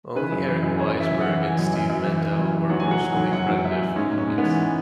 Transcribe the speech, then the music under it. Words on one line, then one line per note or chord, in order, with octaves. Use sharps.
Only Eric Weissberg and Steve Mandel were originally credited for the piece.
C#3 B4
F#2
E3
F#2
F#2 C#5
E3
E5
F#2
F#5
E3
E3 G#5
F#2
F#2
F#2
E3
E3
F#2
E3
F#3 F#5
G#5
F#3
F#5
F#3 G#5
F#3 F#5
F#2 F#5
F#3
F#2 E5
F#2
G#2 C#4
G#2
C#4
G#2
B3
E3